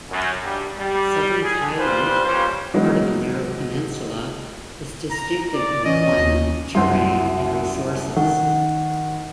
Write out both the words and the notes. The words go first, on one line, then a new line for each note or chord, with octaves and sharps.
Southern Thailand, part of a narrow peninsula, is distinctive in climate, terrain, and resources.
F#2
G2 G3
G3
G#4
G3 F4 B4 C5
F2 A#2 G3 C#4 C5
E3 F#3 G#3 B3 D#4
A#5
D5
E3 C#4 D#5
D#2
C2 F#2 F#4 F#5 C6
D#3 F#5